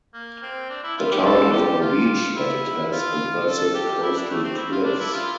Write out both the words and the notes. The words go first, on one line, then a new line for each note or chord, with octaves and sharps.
The town has no beach, but it has impressive coastal cliffs.
A#3
C4
D4
E4
F4
G4
A4
G4
F4
E4
F4
A4
G4
E4
D4
A3
C4
E4
F4
D4
E4
F4